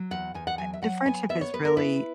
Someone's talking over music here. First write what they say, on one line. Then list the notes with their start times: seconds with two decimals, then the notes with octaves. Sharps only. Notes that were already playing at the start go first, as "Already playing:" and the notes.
eh, the friendship is really
Already playing: F#3
0.11 E2 F#5
0.34 E2 G#5
0.47 F#5
0.58 F#3 G#5
0.74 E5
0.82 F#3 F#5
1.06 B3 G#5
1.29 B3 E5
1.41 C#5
1.53 B3 B4
1.65 A#4
1.77 E4 B4